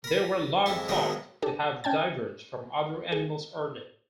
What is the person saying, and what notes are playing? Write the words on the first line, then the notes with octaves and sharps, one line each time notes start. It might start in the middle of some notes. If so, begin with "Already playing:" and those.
They were long thought to have diverged from other animals early.
A#4 B5
F2 G#3 E4
B2 D#3 F3 F#3 G#3 C4
D4 G4 A4 A5
C#4 G5 A5 G#6
G#4